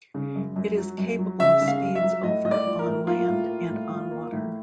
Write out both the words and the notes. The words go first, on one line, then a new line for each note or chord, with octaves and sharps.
It is capable of speeds over on land and on water.
C#3
F#2
F#2
F#3
F#2
F#3
C#3 E5
C#3
F5
F#2
E5
F#3
A2 D#5
A2 D#5
D5
F3
A#4
A2
A#3 F4
A2
A#3
A2
F3
A#3
A2